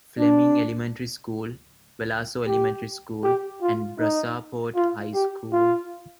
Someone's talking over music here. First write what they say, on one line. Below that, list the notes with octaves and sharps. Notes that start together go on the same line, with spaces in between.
Fleming Elementary School, Velasco Elementary School, and Brazosport High School.
D4
G4
G4
F4
D#4
F4
G4
F4